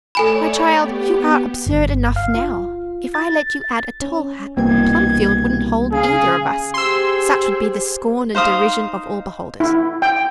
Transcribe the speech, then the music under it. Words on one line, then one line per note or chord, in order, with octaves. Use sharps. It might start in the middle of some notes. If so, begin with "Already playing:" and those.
'My child, you are absurd enough now; if I let you add a tall hat, Plumfield wouldn't hold either of us, such would be the scorn and derision of all beholders.
A3 A4 C#5 D5 G#5 B5
B3 G4
G1
F5
F4
A6
C#4
C2 B2 E3 A#3 C4 G#6
C#3 G#4 F5
G4 G#4 C5 C6 E6
D#4 C5 F5 D#6
E4
G5